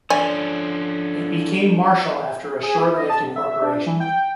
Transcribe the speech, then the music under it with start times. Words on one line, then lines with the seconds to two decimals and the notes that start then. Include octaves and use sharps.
It became Marshall after a short-lived incorporation.
0.10 D3 F3 C#4 D5 G#5
2.63 G#4
2.78 E4
2.97 D#5
3.10 A5
3.23 C3
3.36 E5
3.62 D4
3.86 E3
4.00 G5